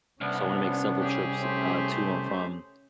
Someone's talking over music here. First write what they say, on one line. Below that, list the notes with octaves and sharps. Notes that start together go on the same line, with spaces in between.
So, I wanna make several trips, uh, to and from,
C2 B3 C#4 D4
G4 G#4
A3 C5